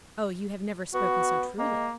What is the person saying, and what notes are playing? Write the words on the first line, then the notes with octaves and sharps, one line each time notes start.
"Oh, you have never spoken so truly."
B3 F#4
G#3 A#3